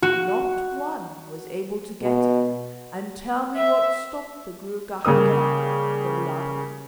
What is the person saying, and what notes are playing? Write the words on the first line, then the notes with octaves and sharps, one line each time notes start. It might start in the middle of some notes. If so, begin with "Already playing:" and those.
Not one was able to get it and tell me what stopped the Gruagach Gaire from laughing.
F#4
B2
E5
C#3 G3 A#3 D#6